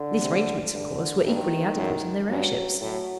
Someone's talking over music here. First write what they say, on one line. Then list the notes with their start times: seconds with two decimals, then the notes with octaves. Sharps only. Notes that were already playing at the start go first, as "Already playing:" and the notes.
These arrangements of course were equally adequate in their airships.
Already playing: D3
0.21 C3
0.72 G2 D3
1.24 G2 D#3
1.77 F#2
2.29 G2 F#3
2.81 A2 F#3